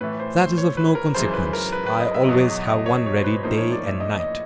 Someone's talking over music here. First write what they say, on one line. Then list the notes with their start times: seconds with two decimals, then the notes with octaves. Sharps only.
"That is of no consequence; I always have one ready, day and night."
0.01 A2 E3 A3 B4
0.20 C5
0.39 C5
0.58 C#5
0.77 B4
0.95 A#4
1.14 F#2 C#3 E3 G#3 C5
1.34 B4
1.53 A#4
1.72 B4
1.86 B4
2.00 D#5
2.14 E5
2.29 E2 B2 F#3 D#5
2.67 D#5
2.86 C#5
3.06 C#5
3.18 C5
3.24 B4
3.43 A2 F3 A#3 D#4 C5
3.57 C#5
3.72 D5
3.87 E5
4.00 D#5
4.20 D#5